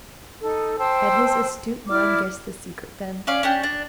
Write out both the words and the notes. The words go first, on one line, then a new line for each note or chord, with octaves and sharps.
Had his astute mind guessed the secret, then?
D#4 A4
C5 G5 A5 E6
E4 D5 D6 F6
C#4 D5 F5
C#4 D4 G4
D4